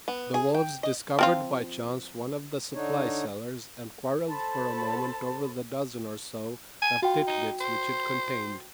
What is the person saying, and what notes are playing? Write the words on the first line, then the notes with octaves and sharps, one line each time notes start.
The wolves discovered by chance one of the supply cellars, and quarreled for a moment over the dozen or so of tit-bits which it contained.
B3
G#4
G5
D#5
F3 C4 F4
D3 D4 D#4 C#5
A4 C5 A5 B5
G#5
F4 F#4 G5
D#4
C5